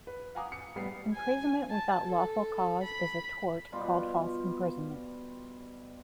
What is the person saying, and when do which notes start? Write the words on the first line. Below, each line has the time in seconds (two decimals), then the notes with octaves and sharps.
Imprisonment without lawful cause is a tort called false imprisonment.
0.07 B4
0.35 F5 F#5 G#5 A#5 D6 D#6
0.52 C#7
0.75 A1 G3 B3 C7
1.14 G#5
1.71 A5
2.08 A4
2.83 B5
3.72 B2 G3 F4